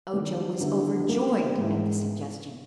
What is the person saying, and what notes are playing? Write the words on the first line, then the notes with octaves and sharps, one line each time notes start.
Ojo was overjoyed at this suggestion.
D#3 G3 B3
D3 F#3 B3 E4 G4
G3 A#3 C#4 F4 A#4
G#2 E3 G#3 B3 E4